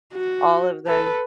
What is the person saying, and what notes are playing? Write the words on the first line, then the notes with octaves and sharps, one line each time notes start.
All of tho
F#4
A4 B4